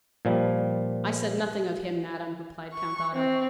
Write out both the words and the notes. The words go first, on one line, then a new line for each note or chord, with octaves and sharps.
"I said nothing of him, madam," replied Count Otto.
A#2 F3 G3
C#6
C4